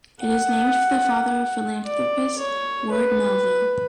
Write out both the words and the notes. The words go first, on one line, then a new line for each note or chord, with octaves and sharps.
It is named for the father of philanthropist Ward Melville.
F#5
D5
C#5
B4